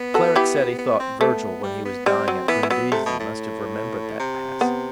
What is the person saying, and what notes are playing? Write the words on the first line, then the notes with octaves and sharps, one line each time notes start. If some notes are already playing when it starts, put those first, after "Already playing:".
Cleric said he thought Virgil, when he was dying at Brindisi, must have remembered that passage.
Already playing: B3
F#4 A4
E4 G4
B3
C4
A3 B3
G3
B3
G3 C4
F#3
E3 B3
E3
F#3 B3
C3 A3
B2
A2
C3
B3